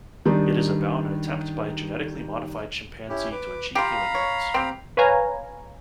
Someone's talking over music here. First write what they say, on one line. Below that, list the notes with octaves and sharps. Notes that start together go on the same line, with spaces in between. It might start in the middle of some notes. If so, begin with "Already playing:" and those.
It is about an attempt by a genetically modified chimpanzee to achieve human rights.
D#3 G3 D4 D#4
C#4 E4 G4
B4 D6
F4 G4 F5 A#5 B5
C#5
C4 G4
B4 C#5 F5 G#5 A#5